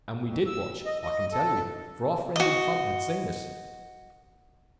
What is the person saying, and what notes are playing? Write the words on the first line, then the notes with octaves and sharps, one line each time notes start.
And we did watch, I can tell you; for our friend in front had seen us.
F2
E6
D#5
D#5
A4
F#4 D#5